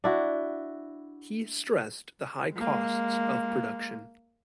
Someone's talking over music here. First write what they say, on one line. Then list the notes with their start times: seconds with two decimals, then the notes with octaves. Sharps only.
He stressed the high costs of production.
0.04 D4 E4 F#4
2.54 G#3 A#3